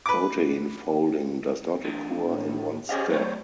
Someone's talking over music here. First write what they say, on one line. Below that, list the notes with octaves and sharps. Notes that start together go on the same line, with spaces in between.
Protein folding does not occur in one step.
B4 D6
D2 D3 E3
A2
C#4 G4 G#4 C5 D#5 F5
F#3 G3 A3 C5 C#5